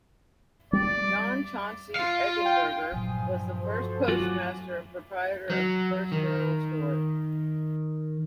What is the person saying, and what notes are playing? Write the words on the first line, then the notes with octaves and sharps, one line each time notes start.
John Chauncey Eggenberger was the first postmaster and proprietor of the first general store.
G3 D5
F4 F5
G5
G2 A#2 F3 F#3 G#5 D#6
F#4 A4 C5
F#3 A3 F4 F#4 G#5 D6
F#3
D#3